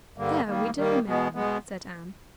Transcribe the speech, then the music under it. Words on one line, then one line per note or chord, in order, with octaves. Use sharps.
"There we differ, Mary," said Anne.
G2 D3 G3 A#3
D#3 G3 A#3
D#3 G3 A#3
B2 G#3 B3
B2 G#3 B3